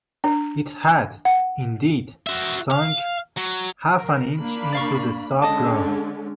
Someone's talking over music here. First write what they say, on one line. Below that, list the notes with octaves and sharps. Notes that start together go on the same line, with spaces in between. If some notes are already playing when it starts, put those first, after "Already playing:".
It had, indeed, sunk half an inch into the soft ground.
D4
F#5
F#4 E5
F5
F#3
A#4
A#3 D4 B5
D5 F5 C#6
D3 G#3 C#4 D#5 A5